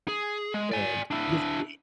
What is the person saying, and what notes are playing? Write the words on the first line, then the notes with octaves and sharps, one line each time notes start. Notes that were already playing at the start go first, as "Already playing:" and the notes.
and because it
G#4
G#3
D5 G#5
D4 E4